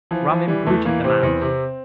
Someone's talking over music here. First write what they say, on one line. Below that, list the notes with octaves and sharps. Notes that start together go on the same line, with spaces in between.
Rum imbruted the man.
E3 F3
E3 F3
E3 G3
E2 A3
E3 A#3
C3 C4
E2
C3